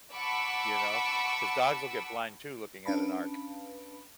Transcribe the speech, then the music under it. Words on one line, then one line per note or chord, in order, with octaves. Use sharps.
You know? 'Cause dogs will get blind too looking at an arc.
F#5 A5 B5 C#6 D6 E6
C#4 D4 B4 F5 A5 B5